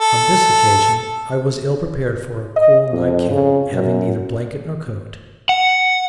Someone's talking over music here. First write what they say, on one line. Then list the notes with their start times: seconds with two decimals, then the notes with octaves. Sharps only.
On this occasion I was ill prepared for a cool night camp, having neither blanket nor coat.
0.01 A4
2.56 D#5
2.93 F2
3.31 C#3
3.73 F#2
5.49 F#5